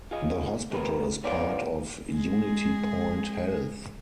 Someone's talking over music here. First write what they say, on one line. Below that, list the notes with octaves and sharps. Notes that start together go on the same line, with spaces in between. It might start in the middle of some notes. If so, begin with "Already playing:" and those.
The hospital is part of UnityPoint Health.
F4 G#4 D#5
B2 G#3 A#3 A#4 B4
C#2 E3 B3 C#4 D5 F5
G#3 G#4